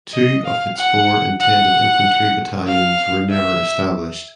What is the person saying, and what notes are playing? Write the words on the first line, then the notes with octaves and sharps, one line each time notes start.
Two of its four intended infantry battalions were never established.
D#5
F5
F#5
F#5
F5
E5